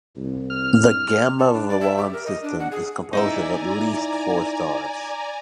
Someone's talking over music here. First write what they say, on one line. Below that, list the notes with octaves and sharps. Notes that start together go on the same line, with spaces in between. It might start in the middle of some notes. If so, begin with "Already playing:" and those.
The Gamma Velorum system is composed of at least four stars.
C2
F6
A5
D4
D5
E5
G4
A#4
D#5
D4
F#5
G#4
D#4 E4 D5 E5 G#5 A#5